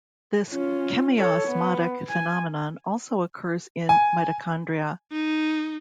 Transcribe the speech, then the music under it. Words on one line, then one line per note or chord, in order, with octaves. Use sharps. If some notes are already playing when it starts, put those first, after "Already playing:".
This chemiosmotic phenomenon also occurs in mitochondria.
C#4 F4
A4 C#5
B3
G#5
G#5
D#4